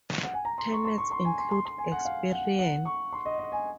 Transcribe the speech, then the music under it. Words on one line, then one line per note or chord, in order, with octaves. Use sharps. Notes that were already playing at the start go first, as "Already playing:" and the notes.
Tenants include Experian.
F#5
G#5
A#5
C6
C#6
C6
C#6
C6
G#5
C6
C6
C6
G#5
F#5
F5
F#5
F#5
C#6
C6
D#5
D#5
G#5